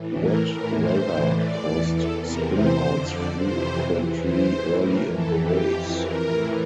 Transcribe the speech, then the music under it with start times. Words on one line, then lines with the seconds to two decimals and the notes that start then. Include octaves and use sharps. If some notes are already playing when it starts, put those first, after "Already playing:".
Wet weather caused spinouts frequently early in the race.
Already playing: A2 E3
0.19 A#4
0.47 A2 E3 A#4
0.76 C5
1.05 A2 E3
1.34 D5
1.62 E2 E3
1.91 A4
2.19 E2 C3 E3 A#4
2.48 C5
2.78 F2 D3
3.06 D5
3.35 F2 C3 E3 C5
3.93 E2 E3
4.22 C5
4.51 A2 E3
4.80 A#4
5.08 F2 E3 A4
5.37 G4
5.66 F2 E3
5.95 A#4
6.23 A2 E3